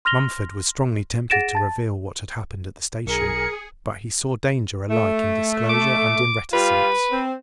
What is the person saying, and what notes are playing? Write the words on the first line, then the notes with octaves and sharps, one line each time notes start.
Mumford was strongly tempted to reveal what had happened at the station, but he saw danger alike in disclosure and in reticence.
C6 F6 A#6 F7 G7
G#4 F#5 A6 A#6 D7 E7
A5 A6
B1 G#4 A#4 C#7
A3
D6
G3 F4 B4
C4